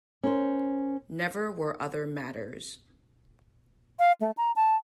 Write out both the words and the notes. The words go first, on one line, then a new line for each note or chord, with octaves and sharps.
Never were other matters.
C#4 A#4 C5
F5
A3
A#5
A5